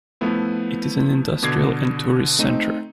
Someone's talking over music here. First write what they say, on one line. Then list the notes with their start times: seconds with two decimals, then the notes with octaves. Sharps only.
It is an industrial and tourist centre.
0.21 F3 A3 B3 E4
1.43 B2 D3 D6 G#6 C7
2.39 A3 C4 D#4